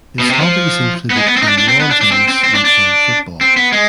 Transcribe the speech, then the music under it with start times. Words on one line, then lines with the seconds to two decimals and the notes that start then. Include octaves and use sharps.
His hobbies included playing lawn tennis and playing football.
0.19 B2
0.30 C3
0.40 F3
1.10 B3
1.16 G#3
1.27 B3
1.37 C4
1.42 D#4
1.48 D4
1.58 D4
1.68 C4
1.80 B3
1.91 D4
2.01 D4
2.12 C4
2.28 C4
2.44 C4
2.55 D4
2.65 D4
3.41 C4
3.57 B3
3.72 G#3